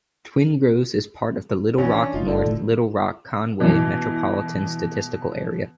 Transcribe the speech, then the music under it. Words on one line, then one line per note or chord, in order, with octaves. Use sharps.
Twin Groves is part of the Little Rock-North Little Rock-Conway Metropolitan Statistical Area.
A#1 E3 C#4
D4
F#1 A3 D#4 F4
D3
A2 D#3 A3
B2 E3